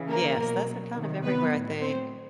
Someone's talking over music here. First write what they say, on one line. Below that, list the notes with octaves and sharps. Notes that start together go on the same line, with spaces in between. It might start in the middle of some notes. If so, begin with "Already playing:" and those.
Yes, those are kind of everywhere, I think.
Already playing: C#3 E3
A#3 A#4
B2 F#3
C3 D#3 F#3
B3 B4
A2 F#3
C4 C5